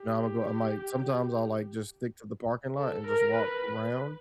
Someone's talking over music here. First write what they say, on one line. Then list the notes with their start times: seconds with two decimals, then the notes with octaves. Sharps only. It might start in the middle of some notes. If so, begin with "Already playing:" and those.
know, I'ma go I might sometimes I'll, like, just stick to the parking lot and just walk around
Already playing: G4
2.77 A4
3.07 A#4
3.35 B4